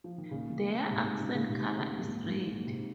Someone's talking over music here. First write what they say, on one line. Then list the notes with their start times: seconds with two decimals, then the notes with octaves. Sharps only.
Their accent colour is red.
0.04 F3
0.18 D#3
0.31 A#2 C#3
0.90 G#2 C3
1.20 A#2 C#3
1.34 A#2 C#3
1.50 C3 D#3
1.78 A#2 C#3
2.01 G#2
2.08 A#2
2.23 G#2
2.38 A#2
2.48 G#2
2.57 A#2
2.67 G#2 C3